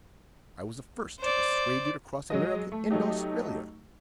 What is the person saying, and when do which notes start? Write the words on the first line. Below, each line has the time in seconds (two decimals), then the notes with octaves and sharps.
I was the first to persuade you to cross America and Australia.
1.19 C5 D5
2.30 F#3 G#3 D#5
2.72 A3
2.91 F#3 A3 D#4 G4